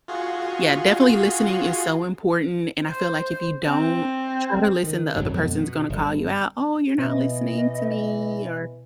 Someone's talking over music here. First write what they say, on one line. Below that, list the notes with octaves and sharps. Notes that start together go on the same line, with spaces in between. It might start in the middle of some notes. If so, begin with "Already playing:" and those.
Yeah, definitely listening is so important and I feel, like, if you don't try to listen, the other person's gonna call you out, "Oh, you're not listening to me," or,
F4 F#4 G#4
C5
C4
D#3
G#1 F#2 B2 F#3
F2 B2 D3 G#3
B2
G1
B2 E3 D#5